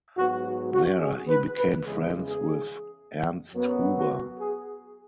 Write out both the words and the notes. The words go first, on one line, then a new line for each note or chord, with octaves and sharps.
There he became friends with Ernst Huber.
G#2 F#3 B3 F#4
F#4
F#4
G#4
B4
B4
E2 C#3 E3 G#3 G#4
G#4
F#2 F#3 B3
F#4
G#4